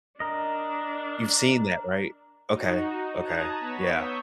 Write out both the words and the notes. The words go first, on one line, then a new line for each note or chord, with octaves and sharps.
You've seen that, right? Okay, okay, yeah.
D4 A#4 D#5
D#4 F#4
A5 A#5 D#6 F#6 G#6
B3 C#5 B6 E7
C#6 D#6 E6 G6 B6